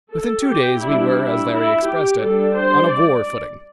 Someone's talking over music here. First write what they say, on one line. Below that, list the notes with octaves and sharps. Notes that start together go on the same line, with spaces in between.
Within two days we were, as Larry expressed it, on a war footing.
A4
G4
G3 D4 E4
E4
E4
G4
G3 D4 A4
C5
D5